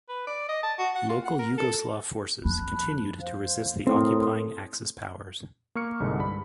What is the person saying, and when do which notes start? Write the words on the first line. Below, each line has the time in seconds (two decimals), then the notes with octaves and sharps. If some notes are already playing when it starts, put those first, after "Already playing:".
Local Yugoslav forces continued to resist the occupying Axis powers.
0.09 B4
0.27 D5
0.49 D#5
0.63 A5
0.78 F#4
0.96 F#5
1.09 F4
1.26 F#5
1.39 A#4
1.58 A4
2.45 F2 A5 B5 F#6
3.20 C5 F5
3.87 A2 C4 A#4 C6 D#6
5.75 A#3 C#6 F6 C#7
6.00 C2 G#2 D3 G#3
6.19 G2 B5